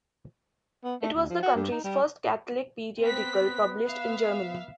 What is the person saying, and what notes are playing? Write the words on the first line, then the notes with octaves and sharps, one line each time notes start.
It was the country's first Catholic periodical published in German.
B3
A3
D2
F3
F#4
G2
D#4
G3
B3 C4 B6
E5 F5